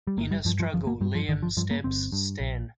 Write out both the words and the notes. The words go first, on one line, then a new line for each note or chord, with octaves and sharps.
In a struggle, Liam stabs Stan.
G3
G1 A#3
G3
G2 F3
F3
G1 F3
A#3
G2 G3
F3
G1 D#3
F3
G2 F3
A#3
G1 C4
G2
A#1